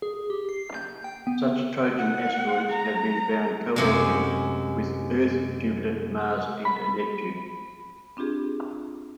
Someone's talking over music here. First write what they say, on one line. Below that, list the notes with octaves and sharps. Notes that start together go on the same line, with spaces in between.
Such 'trojan asteroids' have been found co-orbiting with Earth, Jupiter, Mars, and Neptune.
G#4
G4
C7
G6
G5
B3
F#5
A#5
F#2 C3 G#3
B5
C4 D4 F4 G4 G#4